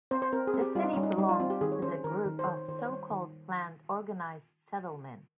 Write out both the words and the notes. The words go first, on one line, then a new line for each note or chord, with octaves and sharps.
The city belongs to the group of so-called planned organized settlements.
C4 C5
C5
C4 A#4
G#4
C4
G4
G3 F4
D#4
G3 C#4
D#4
G3 D#4
F4
C4 F4
G4
D#3 G#4
C#5
C#4 C5
D#3 A#4
D#3
C5
D#3 C#5
C5
D#3 C5
C#5
C5
G3 C#5
D#3